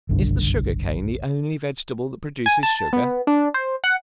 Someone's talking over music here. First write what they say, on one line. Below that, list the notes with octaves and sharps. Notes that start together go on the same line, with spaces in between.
Is the Sugar Cane the only vegetable that produces Sugar?
F#1 B1 G2 D3
G#5
A5
B3
D4
C5
F#5